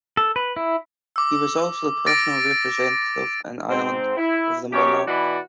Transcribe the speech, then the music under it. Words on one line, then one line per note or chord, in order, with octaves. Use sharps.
He was also the personal representative in Ireland of the monarch.
A4
B4
E4
D6 E6
D6 A6 A#6 D7
G#2 C4
E4
F#2 G4 C#5
B2 E3 D#4 F#4 D5 B5